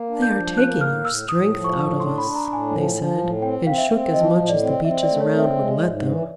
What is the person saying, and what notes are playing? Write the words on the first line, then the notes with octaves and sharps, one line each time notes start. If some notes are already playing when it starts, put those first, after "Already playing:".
"They are taking our strength out of us," they said, and shook as much as the Beeches around would let them.
Already playing: A#3
D4
G6
F3
A#3 F#6
A2 F6
A2 E6
A2 D#6
F3
C#6
A2
D4 C6
B5
D4
A#5
A2
G#5
F3
F3
A2
C4 G5
C4 F5
E5
C4
F3 D#5
A2
D5
C4
C4 E5
D5
A3
C#5
C4
E5
G#3
G#2
E3